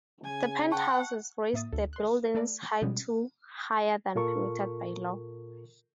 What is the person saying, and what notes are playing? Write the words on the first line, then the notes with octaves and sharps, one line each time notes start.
The penthouses raised the building's height to - higher than permitted by law.
C#3 G#5
F#5 G5 A5 C#6
A2 A#3 E5 D#6 A6
D2 A4
C6 F#6
A3 A4 B4 D5
B2 F3 G3 G#3 B3 C#4
A#2 F4 A4 A#4 C#6